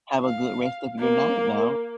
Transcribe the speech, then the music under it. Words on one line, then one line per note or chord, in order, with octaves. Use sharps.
Have a good rest of your night now.
F5
A#3